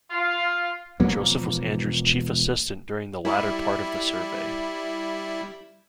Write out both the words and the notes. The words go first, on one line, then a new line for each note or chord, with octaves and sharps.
Joseph was Andrew's chief assistant during the latter part of the survey.
F4
E1 F3 A#3 C#4
G3 E4